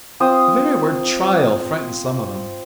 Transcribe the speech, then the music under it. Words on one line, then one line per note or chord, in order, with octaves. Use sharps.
The very word 'trial' frightens some of them.
C4 F4 D#6